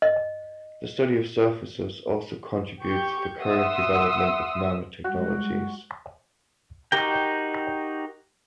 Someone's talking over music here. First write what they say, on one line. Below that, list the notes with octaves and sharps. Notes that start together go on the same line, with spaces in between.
The study of surfaces also contributes to the current development of nanotechnologies.
D#5
G4 C#6 G6
E5 F#5 C6 D#6 E6
G3 G#3 F#4
D#4 F#4 G4 A#4 G5